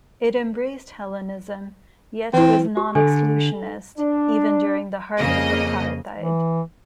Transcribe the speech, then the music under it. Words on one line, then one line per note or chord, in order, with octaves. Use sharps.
It embraced Hellenism, yet was non-exclusionist, even during the heart of apartheid.
E3 C4 E4
G4
D3 A4 G#5
D4
F2 C#3 A#3 D#5
E3